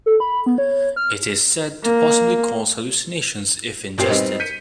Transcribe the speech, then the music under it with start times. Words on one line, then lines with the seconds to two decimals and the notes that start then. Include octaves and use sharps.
It is said to possibly cause hallucinations if ingested.
0.06 A4
0.20 B5
0.46 B3
0.58 C#5
0.96 F6
1.84 A#3
3.98 A1 A#2 G4 C5 C7
4.10 G3 B3 C4 D#4
4.40 G6 B6 C#7 D#7